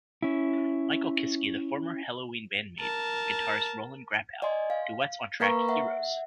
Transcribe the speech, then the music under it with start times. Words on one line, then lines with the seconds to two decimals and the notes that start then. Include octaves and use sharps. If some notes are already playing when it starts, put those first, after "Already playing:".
Michael Kiske, the former Helloween bandmate of guitarist Roland Grapow, duets on track "Heroes".
0.22 C#4 E4
2.80 A#4 A5
4.42 D5 D#5 G#5 C6
4.70 F5
5.40 A#3 A#4 B4 F5 A#5 C#6
5.69 E5 F#5